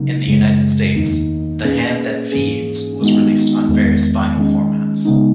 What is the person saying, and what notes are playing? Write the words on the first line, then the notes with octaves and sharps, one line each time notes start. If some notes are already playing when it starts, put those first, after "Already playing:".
In the United States, "The Hand That Feeds" was released on various vinyl formats.
Already playing: C#3 F#3 A#3 D#4
F#2 C#3 G#3
E2 D#3 A#3 D#4
A#2 A#3 C#4 G#4 B4
G#2 E3 A#3 C#4 G#4
D#3 G#3 B3 D#4 F#4
E2 D#3 G#3 B3
D#3 G#3 C#4
C#3 G#3 B3 D#4